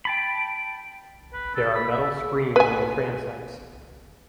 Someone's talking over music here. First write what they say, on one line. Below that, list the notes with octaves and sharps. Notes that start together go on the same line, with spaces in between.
There are metal screens in the transepts.
G5 A5 B5
B4
A4
B5
E5
B4 G#5